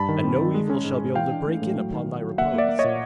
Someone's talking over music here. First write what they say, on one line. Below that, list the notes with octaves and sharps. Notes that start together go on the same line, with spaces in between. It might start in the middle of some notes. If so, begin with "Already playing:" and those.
And no evil shall be able to break in upon thy repose.
Already playing: G2 A5 B5
D#3
C4
D#3
G#3
C#4
G#2
G#3
E3 F5 G5
D4
A3
A2
F#3
D#3
D#3
F#3
A#3 E5 F#5
A#3 D5 E5
A#3
C#5 D#5
A#2